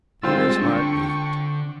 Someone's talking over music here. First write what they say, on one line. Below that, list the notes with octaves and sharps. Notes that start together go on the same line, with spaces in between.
Peter's heart leaped.
G3 G#3 C4 F4 E6 A6
D3 D4 G5 C#6